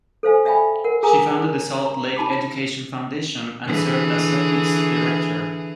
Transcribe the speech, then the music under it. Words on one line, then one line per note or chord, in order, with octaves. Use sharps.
She founded the Salt Lake Education Foundation and served as its director.
A4 C5 F5 G#5
D5 E5 F5 G5 G#5 B5
A#4 F#5
G#4 A#4 F5 G#5 A#5 D#6
A#5
D#4 A5 B5 D6
D3 E3 G#4